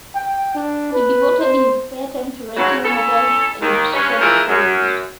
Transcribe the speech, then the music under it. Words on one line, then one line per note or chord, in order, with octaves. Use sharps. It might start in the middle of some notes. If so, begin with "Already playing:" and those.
He devoted his spare time to writing novels and short stories.
G5
D4
B4
C5
G#2 C#3 F#3
C#4 E4 A4
D#2 D#3
G2 C#4
E3 F3 G#3 A3 A#4
F#2